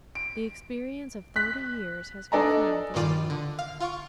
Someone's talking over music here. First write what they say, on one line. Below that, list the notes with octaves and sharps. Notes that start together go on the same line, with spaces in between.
The experience of thirty years has confirmed this belief.
D7
F#6 B6
D4 A4 D5 D#5 G#5 A#5
G2 A#2 D#3 F4 D5 D#7
D3
F5
F4 F5 C#6 D7